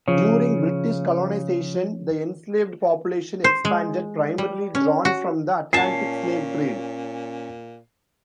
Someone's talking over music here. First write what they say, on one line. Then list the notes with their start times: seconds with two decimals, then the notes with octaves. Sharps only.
During British colonization, the enslaved population expanded, primarily drawn from the Atlantic slave trade.
0.08 C#3 F3 C#5
3.44 C5
3.65 G#3
4.38 G3
4.75 C#4
5.05 F#4
5.73 A#2 C#4 G#5 A5 C7